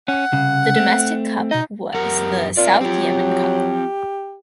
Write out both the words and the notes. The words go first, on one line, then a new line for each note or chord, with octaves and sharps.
The domestic cup was the South Yemen Cup.
C#4 F#5
C2 C#3
A3 C4
B2 D#4 D#5
F#2 G4 A#4 F#5
A#2 C4 F4 D5
F#3 C4 F4 G4